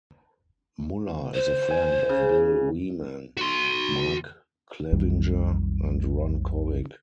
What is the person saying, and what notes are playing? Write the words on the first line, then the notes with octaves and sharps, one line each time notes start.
Muller is a friend of Bill Wieman, Mark Clevinger, and Ron Kovic.
C5
G#5
C#3
F#4 C6
B1 F2 D#3 G3